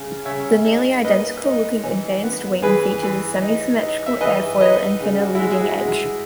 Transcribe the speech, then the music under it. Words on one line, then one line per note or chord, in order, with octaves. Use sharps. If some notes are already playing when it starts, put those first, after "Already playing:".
The nearly identical-looking "advanced" wing features a semi-symmetrical airfoil and thinner leading edge.
Already playing: C#3
C#3 C#5 E5
D#4
A#3 B4 D#5
D#4
E3
B3
E3 G#4 B4
E3
D#4
D#4
E5
E3 B4 D#5
D#4 B4 D#5
C#3
F#4
E4
G#3 F#4
G#4
F#4
G#3